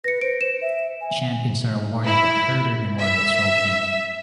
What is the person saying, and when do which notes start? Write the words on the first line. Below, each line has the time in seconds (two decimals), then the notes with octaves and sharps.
Champions are awarded the Herder Memorial Trophy.
0.04 B4 A#6 C#7
0.21 C5 D7
0.41 C5 E7
0.61 E5
1.01 G#5
2.05 E4
3.00 E5